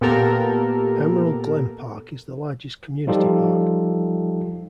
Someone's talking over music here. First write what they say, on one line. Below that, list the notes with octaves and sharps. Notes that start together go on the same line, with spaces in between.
Emerald Glen Park is the largest community park.
A#2 B3 G4 A4 A#4
F3 G3 D#4 F4 G4 A4